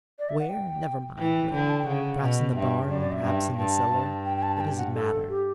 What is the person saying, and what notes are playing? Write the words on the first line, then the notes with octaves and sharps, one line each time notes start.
Where? never mind where. Perhaps in the barn, perhaps in the cellar; what does it matter?
D5
E5
F#5
G5
E3 G5
D3
A5
G5
C#3 F#5
B2
G2 E5
F#2 D5
D5
E5
G2
G2 A5
G2
G5
G5
A5
A5
G5
F#5
A4
G4